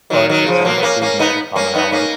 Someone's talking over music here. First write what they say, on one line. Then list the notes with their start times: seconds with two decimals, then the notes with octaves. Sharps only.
but it sounds like we've met a commonality.
0.10 D#3 F#3
0.29 D#3 F#3
0.47 C#3 F3
0.65 F#3 A#3
0.78 B3
0.83 A#3 C#4
1.01 A#3 C#4
1.19 B3 D#4
1.56 A#3 C#4
1.74 B3 D#4
1.92 A#3 C#4